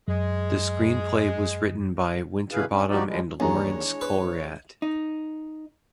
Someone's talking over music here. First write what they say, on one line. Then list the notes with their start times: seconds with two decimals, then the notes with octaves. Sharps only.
The screenplay was written by Winterbottom and Laurence Coriat.
0.08 F#2 G#3
2.51 B2 D3 E4 G#4 B4 F5
2.70 C#4
2.89 F3 D#4 F#4 G4 D5
3.06 F3 G3 G#3
3.40 D#2 E3 G#3 D4 C#5 G#5 A#5
4.01 B4
4.82 D#4